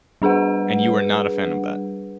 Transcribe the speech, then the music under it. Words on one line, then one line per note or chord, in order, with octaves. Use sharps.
And you were not a fan of that.
G3 D4 G#4 B4 F#5